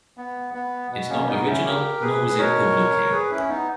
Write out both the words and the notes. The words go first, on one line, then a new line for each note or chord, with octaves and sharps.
It's not original, nor is it good looking.
B3
B3
B2 B3
A#3 C#4
B3 D#4
C#4 E4
G4 A#4
G#4 B4
B4
B2 A#4 C#5
A#4
G#4 B4
C#4 E4
B3 D#4